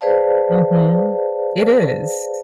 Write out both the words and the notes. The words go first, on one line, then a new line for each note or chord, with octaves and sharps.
Mhm, it is.
G#4 B4 C5 D5 F5 A5